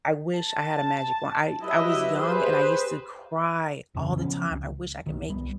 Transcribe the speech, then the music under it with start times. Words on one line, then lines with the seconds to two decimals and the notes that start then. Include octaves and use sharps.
I wish I had a magic wand. I I was young, and I used to cry all the time, "I wish I could make
0.35 A5
1.61 F#3 E4 G4 B4 D#5 E5
2.18 G4 G#4 B4 C5
3.95 A#1 F2 C#3 E3
4.19 C#3 F3 B3 C#4
4.51 C#2
5.06 B1 D#3
5.29 C2 G3 B3